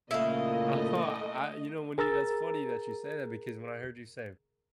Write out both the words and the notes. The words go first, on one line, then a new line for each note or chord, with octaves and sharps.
Uh-huh, I You know, when you That's funny that you say that, because when I heard you say
A#2 C#3 A3 A#3 E4 D#5 F5
G#4 A#4 A#5 E6 A6